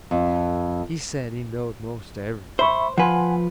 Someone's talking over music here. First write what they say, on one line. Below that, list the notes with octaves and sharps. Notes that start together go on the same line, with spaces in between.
He said he knowed most everything.
F2
C5 E5 B5 C#6
F3 B4 F#5 G#5 C6